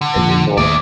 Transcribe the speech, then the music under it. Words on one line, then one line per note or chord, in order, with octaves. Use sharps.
that'd be cool.
D3
F2 A#2 F3
D#2 A2 E4 D5